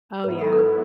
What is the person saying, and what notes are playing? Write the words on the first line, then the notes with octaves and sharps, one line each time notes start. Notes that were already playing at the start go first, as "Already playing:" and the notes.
Oh, yeah.
G#2 F#3 B3 E4 B4
A4
A4
B4